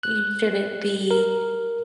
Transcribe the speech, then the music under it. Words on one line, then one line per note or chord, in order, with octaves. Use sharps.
you shouldn't be
F#6
A#4